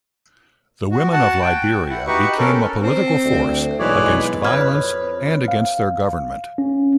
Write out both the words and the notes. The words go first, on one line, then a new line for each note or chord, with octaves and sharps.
The women of Liberia became a political force against violence and against their government.
F#4
F#4 F#5 A5
G5
E4 F#5
D#4 F#4 G4 B4 F#5 C#6
C#4 A4 A#4
C4
D2
B1 E3 G#3 C#5 D5
F2 B4 C#5 F6 G#6
F5
C#4